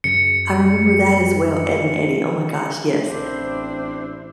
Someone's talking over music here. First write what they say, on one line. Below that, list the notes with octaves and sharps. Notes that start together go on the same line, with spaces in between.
I remember that as well, Ed and Eddie, oh my gosh, yes.
F#2 C#3 C#7
A1 C4 D4 E4 G4 C5